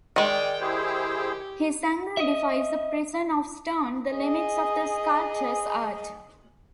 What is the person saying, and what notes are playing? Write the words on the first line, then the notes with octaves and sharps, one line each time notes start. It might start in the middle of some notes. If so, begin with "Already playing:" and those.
His anger defies the prison of stone, the limits of the sculptor's art.
D#3 G#3 D5 G5
E4 G4 G#4 C5
D#5 E5
G#4 D#5